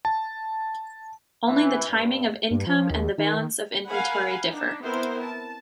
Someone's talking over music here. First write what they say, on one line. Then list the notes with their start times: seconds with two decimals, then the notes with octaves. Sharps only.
Only the timing of income and the balance of inventory differ.
0.05 A5
1.46 E3
1.88 G2
2.51 G2
2.67 F3
2.90 D#2
3.18 D#3
3.89 A#4 F5 F#5 G#5 B5
4.51 D4 D#4
4.84 B3 C4 E4 A#4 C5
5.26 A5